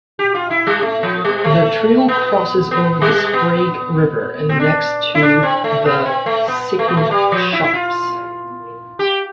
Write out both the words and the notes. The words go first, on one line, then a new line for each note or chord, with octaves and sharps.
The trail crosses over the Sprague River and next to the Sycan Shops.
G4
F4
E4
G3
A3
F3
G3
A3
B3
B3
G3
B3
C4
D4
E4
D4
C4
A3
B3
C4
A3
B3
A3
B3
A3
G3
F3
E4
E4
F4
G4